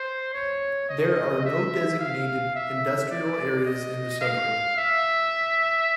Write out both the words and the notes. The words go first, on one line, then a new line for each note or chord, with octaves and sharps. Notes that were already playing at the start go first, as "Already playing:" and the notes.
There are no designated industrial areas in the suburb.
Already playing: C5
C#5
D#5
E5
F5
E5
D5
D#5
F5
E5